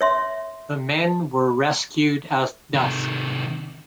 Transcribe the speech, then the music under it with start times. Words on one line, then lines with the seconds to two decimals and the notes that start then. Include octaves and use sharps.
The men were rescued at dusk.
0.01 C#5 E5 C6
2.74 C3 D#3